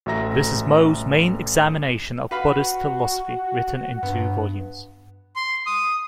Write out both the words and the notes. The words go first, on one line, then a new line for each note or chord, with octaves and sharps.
This is Mou's main examination of Buddhist philosophy, written in two volumes.
A1 F#4 A4 E5 A#5 A#6
F#4 B4 F5 F#5 B5
G2 B3
C6
D#6